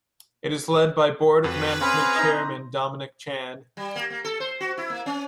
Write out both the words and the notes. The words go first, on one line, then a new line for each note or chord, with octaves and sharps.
It is led by Board of Management chairman Dominic Chan.
F2 F#4 B4
C4 C#4 G#4 F5 A#5 B5
D#4 D#5
G3
A#3
A#3
A4
C5
F#4
E4
A#3
C#4